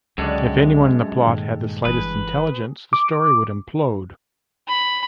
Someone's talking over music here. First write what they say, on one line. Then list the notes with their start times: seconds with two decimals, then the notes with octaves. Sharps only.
If anyone in the plot had the slightest intelligence, the story would implode.
0.18 C#2 F#2 D3 G#3 D4 G4 A4
1.27 G2 A#2 D#3
1.85 G1 G2 E3 G#4 B4
2.93 D6
4.68 B5